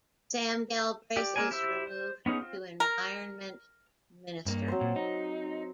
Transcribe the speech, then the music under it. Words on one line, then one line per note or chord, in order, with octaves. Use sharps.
Sam Galbraith is removed to Environment Minister.
G4 D5
A#3 C4 A#4 D5 G#5
E4 G4 C5 E5 E6
C5
B3 C#4 D#4 G#4
C4 F4
A#4
G2 A#3
F#3 C4 C5
A#2
D#4